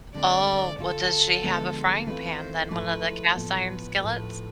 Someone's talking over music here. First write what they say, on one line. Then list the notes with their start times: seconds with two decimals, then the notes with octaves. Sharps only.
Oh, well, does she have a frying pan, then, one of the cast iron skillets?
0.14 D3 G#3 C4 D5
0.78 D3 A3 D4 F4 A4
1.42 D3 F3 G#3 B3
2.06 E3 A3 C4 F4 B4
2.38 C5
2.71 G#2 F3 A3 E4 B4
3.35 A2 F3 B3 A4
3.67 B4
3.99 A2 F3 A3